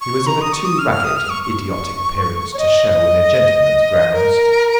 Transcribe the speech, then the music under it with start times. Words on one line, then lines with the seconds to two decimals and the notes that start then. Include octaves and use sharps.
He was of a too ragged and idiotic appearance to show in a gentleman's grounds.
0.01 C#6
0.27 A#5
0.41 D#6
0.53 C#6
0.65 D#6
0.79 F6
0.91 F6
1.04 D#6
1.16 F6
1.30 C#6
1.43 C#6
2.54 C#5
2.58 D#5
4.13 A#4